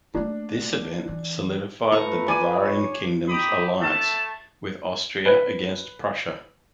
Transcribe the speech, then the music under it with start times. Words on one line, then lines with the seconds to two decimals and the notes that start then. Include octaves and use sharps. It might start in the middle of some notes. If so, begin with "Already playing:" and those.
This event solidified the Bavarian kingdom's alliance with Austria against Prussia.
0.14 A3 A#3 D4
1.08 E3
1.92 A3 F4 B4 A#5 C#6
2.28 D5 G#5 D6 D#7
2.60 C#5
3.28 D#4 G4 B5 D#6
3.81 A3 E5 A5
5.26 B4